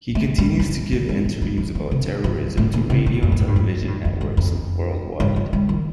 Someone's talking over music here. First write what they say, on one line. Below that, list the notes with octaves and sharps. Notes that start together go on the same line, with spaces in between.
He continues to give interviews about terrorism to radio and television networks worldwide.
A3
G3
F3
D#3
G3
G3
F3
F3
D#3
C3
G2
A2
A#2
C3
A2
F2
A#2
A2
G2
F2
A2
G2
F2
G2
F2
G2
F3
G3
D#3